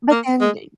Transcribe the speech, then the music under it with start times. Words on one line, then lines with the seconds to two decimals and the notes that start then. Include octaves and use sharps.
But then, d
0.11 A#3
0.41 G#3